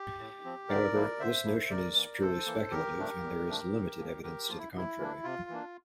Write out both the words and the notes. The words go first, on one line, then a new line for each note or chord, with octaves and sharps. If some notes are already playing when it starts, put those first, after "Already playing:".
However, this notion is purely speculative and there is limited evidence to the contrary.
Already playing: G4
A2
F3 C4
D3 A#4 D5
F3 A#3 E4
D3 C5 E5
F3 A#3 E4
C3 A#4 D5
E3 A#3
C3 A4 C5
E3 A#3
E2 G4 A#4
C3 F3 A3 D4
E2
C3 F3 A3 D4
D3
F3 A#3
D3 G4 A#4
F3 A#3 F4
E4
C3 E4
E3 A#3 D4
C3 F4
E3 A#3 D4